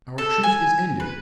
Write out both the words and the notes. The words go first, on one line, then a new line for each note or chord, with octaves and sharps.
"Our truce is ended."
A4
G#5
B4